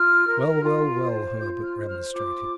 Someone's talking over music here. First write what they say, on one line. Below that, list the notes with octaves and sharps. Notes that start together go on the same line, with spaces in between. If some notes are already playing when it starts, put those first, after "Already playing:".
"Well, well, well!" Herbert remonstrated.
Already playing: F4 F6
A#4
F4
C5
F4 G6
F6
C5
F6
F4 D6